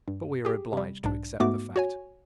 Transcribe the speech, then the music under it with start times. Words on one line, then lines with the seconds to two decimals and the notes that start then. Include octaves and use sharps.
But we are obliged to accept the fact.
0.08 G2
0.45 G4 G#4
0.73 C3 G3
1.04 B1 G#2 D4
1.40 G#2 A3 B3 F#4 D6
1.76 F#4 C#5 G#5